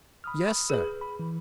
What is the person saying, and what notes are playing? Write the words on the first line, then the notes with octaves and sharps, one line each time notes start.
"Yes, sir."
B5 D#6 F6
G#4 B4
B5
E3